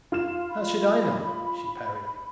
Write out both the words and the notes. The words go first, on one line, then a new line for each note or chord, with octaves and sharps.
"How should I know?" she parried.
F4 F6 E7
B5